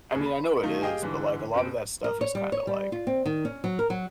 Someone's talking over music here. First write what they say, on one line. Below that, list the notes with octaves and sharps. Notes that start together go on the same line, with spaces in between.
I mean, I know it is, but, like, a lot of that stuff is kinda, like,
D#2 G#4
B5
D#3 A3 D#4 F4
G4 G#4 D#5 F5 G5 G#5
G#2 D3 E3
F#1 C4 F#4 D7
A#4
C#5
G3
C#5
G3
F4
C4
D#3
C#4
F#3
A#4
F#3